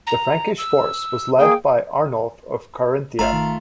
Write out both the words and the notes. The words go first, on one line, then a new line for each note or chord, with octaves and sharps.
The Frankish force was led by Arnulf of Carinthia.
A#5
E6
A#3 G#4 G5
G1 A3 F4 A#5
D#3